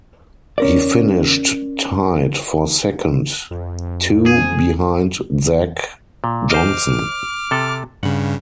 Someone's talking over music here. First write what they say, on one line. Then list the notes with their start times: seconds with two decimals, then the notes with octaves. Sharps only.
He finished tied for second, two behind Zach Johnson.
0.58 C#4 A#4 D5
3.51 F2
4.26 G#4
6.24 A#2
6.50 C5 D#5 D6 F6
7.51 C3 A4
8.03 G2 C#3 F#5